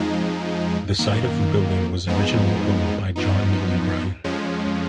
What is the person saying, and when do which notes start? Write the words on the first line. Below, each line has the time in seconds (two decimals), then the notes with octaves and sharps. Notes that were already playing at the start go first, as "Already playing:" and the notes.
The site of the building was originally owned by John Neely Bryan.
Already playing: F2 F3 G#3 D#4
0.99 F#2 D#3 A#3
2.07 F2 F3 G#3 B3 D#4
3.16 F#2 F3 B3 D#4
4.24 F2 F3 G#3 C#4